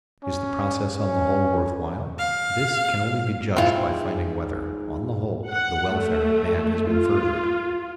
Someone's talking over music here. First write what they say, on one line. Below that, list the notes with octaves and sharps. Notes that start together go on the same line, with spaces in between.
Is the process, on the whole, worth while? This can only be judged by finding whether, on the whole, the welfare of man has been furthered.
C#4
C#4
F5
G#2 C4 E4 F4
F#5
A3
F4